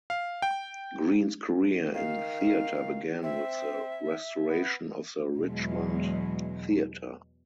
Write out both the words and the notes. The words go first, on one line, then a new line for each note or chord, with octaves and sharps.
Greene’s career in theatre began with the restoration of the Richmond Theatre.
F5
G5
D#3 F5
C4 E5
B3
E2 B2 F#3 G#3